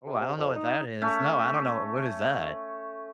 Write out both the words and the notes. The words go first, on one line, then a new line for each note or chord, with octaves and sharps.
Ooh, I don't know what that is, no, I don't know what is that?
C3
C3
F2
D#4
A3 C#4